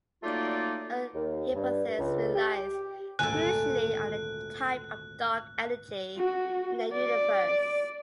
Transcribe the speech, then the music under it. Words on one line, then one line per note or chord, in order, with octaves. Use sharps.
The hypothesis relies crucially on the type of dark energy in the universe.
F#3 A3 A#3 D#4 F4 D5
D#2
G2
C#2
G4
G#1 D2 A#2 A4 G#5 F#6
F#4
D5